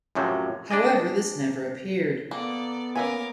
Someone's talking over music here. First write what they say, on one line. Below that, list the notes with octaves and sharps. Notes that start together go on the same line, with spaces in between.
However this never appeared.
F#2 A2 C3 F3 F#3
D4 G#4 D5 D#5
A#3 B3 A4 D5
A#3 C#4 A#4 B4 E5 G#5 D6